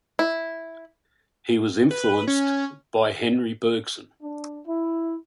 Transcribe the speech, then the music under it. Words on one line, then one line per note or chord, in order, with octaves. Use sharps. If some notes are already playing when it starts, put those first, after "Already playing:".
He was influenced by Henri Bergson.
E4
B4
C#4
D4
E4